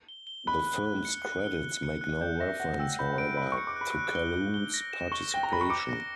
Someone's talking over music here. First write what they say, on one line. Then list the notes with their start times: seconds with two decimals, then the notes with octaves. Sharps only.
The film's credits make no reference, however, to Calhoun's participation.
0.09 G7
0.27 G7
0.47 B5 F#6
0.67 F#6
0.86 F#6
1.05 C#7
1.25 F#6
1.44 G7
1.64 F#6
1.83 C#7
2.01 F#6
2.21 D5 G6
2.40 E5 A#6
2.60 F#5 A#6
2.79 G5 E6
2.99 B5 G6
3.18 B5 D7
3.37 B5 F#6
3.52 C#6
3.57 C#7
3.67 D6
3.76 B5 F#6
3.95 F#6
4.15 G7
4.35 F#6
4.54 G7
4.74 A#6
4.93 E7
5.12 C#6 G7
5.31 G5 A#6
5.43 A#5
5.51 B5 A#6
5.61 C#6
5.69 D6 C#7
5.89 A#6